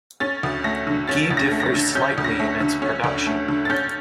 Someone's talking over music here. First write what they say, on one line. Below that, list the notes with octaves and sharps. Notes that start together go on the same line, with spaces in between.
Ghee differs slightly in its production.
C#4 A6
D2
A3 A#6
D3
C#4 A6
D2 A6
A#6
A3
A#6
A6
D3
C#4 G6
D2
A#6
A3
D3
C#4
D2
A3
D3
A6
C#4 G6